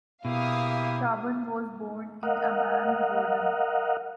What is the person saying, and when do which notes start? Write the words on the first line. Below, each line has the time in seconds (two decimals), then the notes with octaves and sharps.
Shaban was born in Amman, Jordan.
0.25 B2 A#3 E4 G4 F5 D#6
2.23 A#4 D#5 F5 F#5